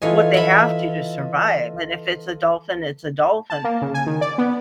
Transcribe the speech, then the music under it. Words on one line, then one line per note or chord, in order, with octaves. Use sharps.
what they have to, to survive, and if it's a dolphin, it's a dolphin,
E3 F4 A4 C#5 D#5 G#5
E5 B5
A5
A#3
C#3
G#5
D#3
D5
B3